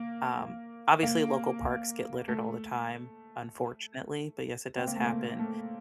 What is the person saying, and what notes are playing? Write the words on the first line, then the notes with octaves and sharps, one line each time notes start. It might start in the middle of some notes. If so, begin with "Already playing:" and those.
um, obviously, local parks get littered all the time, unfortunately, but, yes, it does happen,
Already playing: A#3
A#3
A3
C4
A#3
A3
A#3
A3